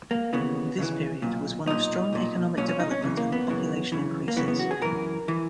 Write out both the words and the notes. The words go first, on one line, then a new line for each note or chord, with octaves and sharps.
This period was one of strong economic development and population increases.
A#3
D#2 C#3 E3 B3
D#2 C#3 E3
B1 A#2
B1 A#2 D#4
B1 A#2
B1 A#2 C#4
C#4
D#4
C#4
F#2 C#3 E3
A#3
B3
F#2 C#3 E3
F#2 C#3 E3
A#3
F#2 C#3 E3 B3
B3
F#4
G#4
F#2 E3 A#4
E3